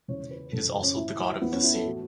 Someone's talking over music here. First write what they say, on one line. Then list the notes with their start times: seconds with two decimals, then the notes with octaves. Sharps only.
He is also the god of the sea.
0.08 E2 C#3 E3 C#5
0.31 B4
0.52 F#2 C#3 E3 A4
0.82 C#4
0.96 A2 E3 E4
1.41 E2 E3 B3
1.52 C#4
1.63 E4
1.74 A4
1.85 A2 E3 F#4